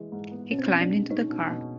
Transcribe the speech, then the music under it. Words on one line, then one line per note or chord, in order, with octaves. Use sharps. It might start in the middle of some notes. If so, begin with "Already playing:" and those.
He climbed into the car.
Already playing: E3 G#3
G#2
B3
B2 C#4
C4
C#4
B2
D4
G#3
C#4 D#4
B2
B2